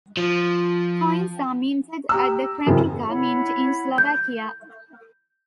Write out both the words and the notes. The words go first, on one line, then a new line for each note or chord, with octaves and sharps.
Coins are minted at the Kremnica mint in Slovakia.
F3
G4 A#5 E6
F#2 C#3 E3 C4
E4 C#5 F#5 B5
G6